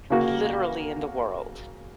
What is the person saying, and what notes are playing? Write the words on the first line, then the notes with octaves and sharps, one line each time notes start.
literally in the world.
C#3 A#3 F#4